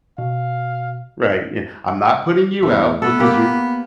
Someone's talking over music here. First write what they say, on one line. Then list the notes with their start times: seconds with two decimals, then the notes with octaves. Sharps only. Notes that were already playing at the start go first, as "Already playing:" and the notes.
Right, yeah, "I'm not putting you out because you're"
0.18 B2 F5
2.63 E2 A3
3.02 B3 A4
3.20 A#3 G4